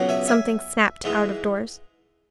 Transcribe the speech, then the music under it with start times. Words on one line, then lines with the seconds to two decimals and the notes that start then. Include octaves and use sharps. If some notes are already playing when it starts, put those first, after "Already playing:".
Something snapped out of doors.
Already playing: C#2 B2 F#3
0.09 E5 G#5
0.28 E5 G#5
1.04 G#2 E3 G#3